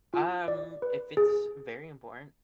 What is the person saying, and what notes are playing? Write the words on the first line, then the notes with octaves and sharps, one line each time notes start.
Um, if it's very important,
F4
D5
B4
G#4